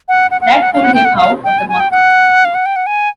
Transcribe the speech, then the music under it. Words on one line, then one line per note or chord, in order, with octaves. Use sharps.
That pulled him out of the muck.
F#5
F#5
F#5
F5
F#5
F5
F#5
G5
F#5
F5
G5
G#5
G#5
G5
F#5
F5
F#5
G5
F#5
G#5